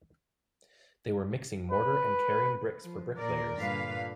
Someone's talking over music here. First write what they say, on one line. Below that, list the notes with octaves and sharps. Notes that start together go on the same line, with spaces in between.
They were mixing mortar and carrying bricks for bricklayers.
B4
F3
A#2 A#4 D5
G2 A#2 D3 B4 F5